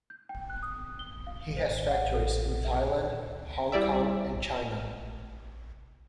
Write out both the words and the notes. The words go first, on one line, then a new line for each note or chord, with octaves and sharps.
He has factories in Thailand, Hong Kong and China.
G6
G5
F#6
D#6
G7
F5
C5
F#5
A4
E5
G3 E4 D5 E5